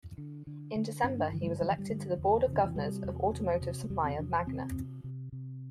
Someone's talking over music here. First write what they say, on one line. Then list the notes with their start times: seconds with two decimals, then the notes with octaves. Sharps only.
In December, he was elected to the board of governors of automotive supplier Magna.
0.18 D3
0.47 D3
0.75 D3
1.04 G2 C4
1.18 D4
1.32 D3 E3
1.42 G3
1.46 A3
1.61 G2 G3
1.70 E3
1.78 G3
1.90 D3
2.18 E2
2.47 C3
2.53 D3
2.64 E3
2.75 C3 G3
3.04 E2
3.32 C3
3.61 C3
3.84 A3
3.90 E2 G3
4.04 C4
4.19 C3 D4
4.46 C3 C4
4.76 C3
5.04 C3
5.32 C3